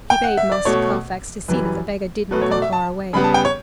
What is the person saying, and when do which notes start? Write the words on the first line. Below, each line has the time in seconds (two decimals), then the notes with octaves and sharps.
He bade Master Carfax to see that the beggar did not go far away.
0.10 G5
0.24 F#5
0.37 E5
0.52 D5
0.65 B2 A3 C#5
1.48 F#2 E3 G3 B4
2.31 B2 F#3 A3 B4
2.42 C#5
2.51 D5
2.62 E5
2.73 A5
3.13 C#3 G3 B3 B5
3.24 A5
3.34 G5
3.45 C#5